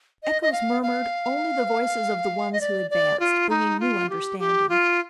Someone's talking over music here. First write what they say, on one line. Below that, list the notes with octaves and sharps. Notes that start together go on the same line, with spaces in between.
Echoes murmured only the voices of the ones who advanced, bringing new understanding.
D#5
D#5
F5
F5
D#5
D5
D5
F4
D#4
F4
G4
G4
F4